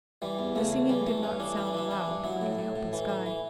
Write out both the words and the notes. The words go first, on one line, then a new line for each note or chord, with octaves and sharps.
The singing did not sound loud under the open sky.
E3 G3
E2
C#3 A3
E2
E3 G3
E3 A3
G2 C#4
E3 D4
E3 E4
D4
E3 E4
E3 D4
G2
F#3 E4
A2
A2
A2
E3
E3
E3